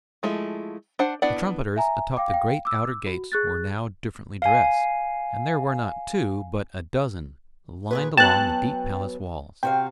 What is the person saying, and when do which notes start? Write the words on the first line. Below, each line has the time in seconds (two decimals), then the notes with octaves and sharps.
The trumpeters atop the great outer gates were now differently dressed, and there were not two but a dozen lined along the deep palace walls.
0.23 F3 G#3 A3 E4 F4
0.99 D4 C5 F#5
1.22 B3 D4 E4 D5 F#5
1.76 E5 G#5 A#5
2.17 F5 G5 D6
2.30 F5 G5
2.65 D6 E6
3.07 F#4
3.32 G#4 F#6 A6
4.42 F5 G#5
7.91 A#2 G#4 B4
8.17 F#3 B3 C#4 G5 A5 F#6
9.63 C3 F#4 F5 G5